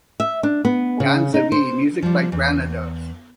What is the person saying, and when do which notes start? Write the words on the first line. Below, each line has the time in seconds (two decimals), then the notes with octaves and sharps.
Danza V, music by Granados.
0.20 E5
0.43 D4
0.65 B3
1.00 C#3
1.34 D#4
1.52 C5
2.02 F3 G3
2.32 E2